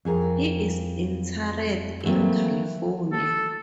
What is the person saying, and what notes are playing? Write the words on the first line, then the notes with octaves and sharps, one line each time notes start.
He is interred in California.
F2 G#4 A#4
E3 F#3 A3 A#3 C4
A4